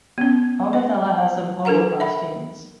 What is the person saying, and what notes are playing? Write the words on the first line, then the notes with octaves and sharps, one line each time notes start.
Augathella has some polocrosse teams.
B3 C#4
D#5
D4 A4 A#4 F#5 A#5
E5 B5